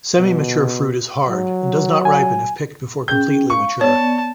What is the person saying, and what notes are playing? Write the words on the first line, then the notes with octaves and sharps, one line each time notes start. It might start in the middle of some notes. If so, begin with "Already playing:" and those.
Semi-mature fruit is hard and does not ripen if picked before completely mature.
B2
F#3
G#5
C#4 G#4 G5 G6
F5 C#6
B3 C#5 D5 A5